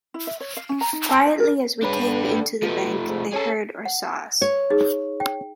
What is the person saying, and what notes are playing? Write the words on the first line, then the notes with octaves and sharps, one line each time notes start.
Quietly as we came into the bank, they heard or saw us.
E4
E5
C#5
F5
C#4
A#5
D#4
A5
D5
A#4
C#3 D4 B4
D3
B2 F3 A3
G#2
C#4 G#4 A4
F#5
C#5
D#4 G#4
G5